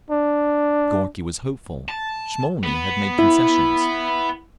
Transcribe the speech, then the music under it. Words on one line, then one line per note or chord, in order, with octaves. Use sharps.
Gorky was hopeful; Smolny had made concessions.
D4
A5
B3
E4